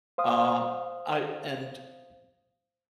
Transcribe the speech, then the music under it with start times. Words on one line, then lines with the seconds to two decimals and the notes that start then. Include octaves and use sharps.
Um, I and
0.18 C5 F5 D#6